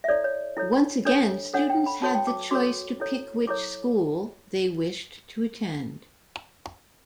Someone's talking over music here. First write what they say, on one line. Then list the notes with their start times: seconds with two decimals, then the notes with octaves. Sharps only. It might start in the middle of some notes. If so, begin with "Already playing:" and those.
Once again, students had the choice to pick which school they wished to attend.
0.04 E5
0.08 E4 A4 C#5 D5
0.24 C#5
0.57 E4 A4 C#5
1.05 D4 A4 C#5
1.54 D4 A4 C#5 F#5
1.70 G5
1.86 B5
2.02 F#4 A4 C#5 A5
2.15 G5
2.27 D6
2.51 F#4 A4 C#5 D6
3.00 E4 A4 C#5
3.47 E4 A4 C#5 D6